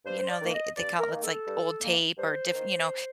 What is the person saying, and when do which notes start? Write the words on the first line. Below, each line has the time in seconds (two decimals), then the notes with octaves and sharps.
you know, they they call it's like old tape or diff you know,
0.05 G2 C5
0.19 C5
0.29 D5
0.41 D#3 A#3
0.53 D#5
0.76 G2 D5
0.99 A#4
1.11 D#3 A#3
1.24 A4
1.47 G2
1.82 D#3 A#3
2.17 G2 C5
2.52 D#3 A#3